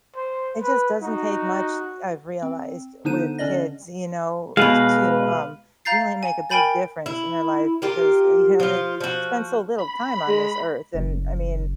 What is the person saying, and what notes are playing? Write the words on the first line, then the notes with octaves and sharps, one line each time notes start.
it just doesn't take much, I've realized, with kids, you know, t to, um, really make a big difference in their life because, uh, you know, they've spent so little time on this earth, and, I mean,
C5
B4
D#4 F#4
C4
D3 B3 D4 D#4 C5 D#7
D3 C#4 D4 D5 D#5 A#6
B2 G#3 B4 F5
F5 A#5 G6 A6 C7
G#5
A#4 G5 G#5 B5 G6 A6
E4
F4 G4 A#4
F3 F4
F3 F#4
B5
G#3
F#1